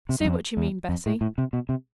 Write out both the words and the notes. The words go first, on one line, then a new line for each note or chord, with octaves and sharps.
"Say what you mean, Bessy."
C3
G2
F2
E2
F2
A2
A2
C3
B2
C3